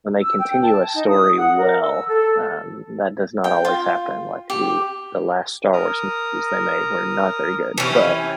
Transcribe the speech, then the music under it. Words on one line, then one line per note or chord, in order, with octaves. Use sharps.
when they continue a story well, um, that does not always happen, like, the the last Star Wars movies they made were not very good. But
E6
G5
A5
D#4
D#6
F#5
A#4
E6
A4
G5
F4
G4
A#4 A#5 D#6
C3 E3 C#4 G5